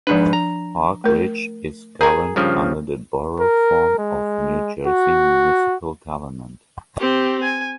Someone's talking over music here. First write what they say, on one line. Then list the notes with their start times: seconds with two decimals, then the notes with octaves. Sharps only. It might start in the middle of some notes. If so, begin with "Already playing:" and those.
Park Ridge is governed under the Borough form of New Jersey municipal government.
0.07 G#2 F3 D4 B4
0.33 A#5
1.04 A3 A#4
2.01 G#4 A#4 G#5 A#5
2.36 G2 C#3 F3
3.40 A#4
3.98 G#3
4.87 F#4
6.99 C4 G4
7.43 G#5